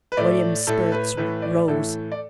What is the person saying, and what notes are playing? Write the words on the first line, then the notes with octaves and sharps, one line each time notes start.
William's spirits rose.
B4
A2 A3 D5
A2 A3 A4
B4
A2 E3 A3 B4
D5
A2 E3 A3 A4
D5